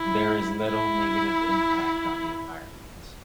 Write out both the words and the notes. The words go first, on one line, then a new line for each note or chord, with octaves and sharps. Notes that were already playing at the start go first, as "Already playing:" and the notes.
There is little negative impact on the environment.
Already playing: E4
E4